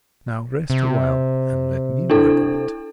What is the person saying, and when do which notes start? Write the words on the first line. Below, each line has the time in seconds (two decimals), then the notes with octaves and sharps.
"Now rest awhile-and let me work a bit."
0.70 C3
2.10 D4 E4 A4